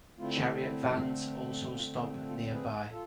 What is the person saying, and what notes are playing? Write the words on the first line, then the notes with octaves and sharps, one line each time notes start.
Chariot vans also stop nearby.
D3 A3 C4 E4 F4
E4
F4
E4 G#4
F4 A4
G#4 B4
F4 A4